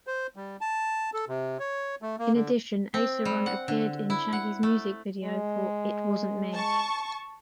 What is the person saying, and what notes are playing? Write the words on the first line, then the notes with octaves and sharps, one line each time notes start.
In addition, Aceron appeared in Shaggy's music video for "It Wasn't Me".
C5
G3
A5
A4
C3
C#5
A3
A#3
D3
C4
G3
F#5
D3
E4
F#5
A3
G#3
A5 C#6